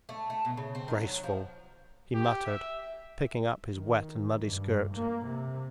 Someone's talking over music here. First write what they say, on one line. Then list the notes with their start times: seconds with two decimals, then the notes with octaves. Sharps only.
"Disgraceful!" he muttered, picking up his wet and muddy skirt.
0.09 A3
0.30 A3
0.45 B2
0.57 C#3
0.75 C4
0.88 D#3
1.01 F#3
1.24 F3
2.15 G4
2.46 E5
3.74 D#3
4.43 G2
4.95 A#3
5.26 C3